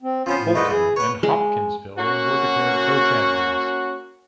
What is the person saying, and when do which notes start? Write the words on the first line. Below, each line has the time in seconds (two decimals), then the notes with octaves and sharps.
Fulton and Hopkinsville were declared co–champions.
0.02 C4
0.26 F3 B3 C#4 C5
0.39 A2
0.55 G#2 G3 A3 B4 D#5
0.71 E3 G#4
0.96 B4 C#5 F#5
1.23 G#3
1.97 A#3 C#4 F#4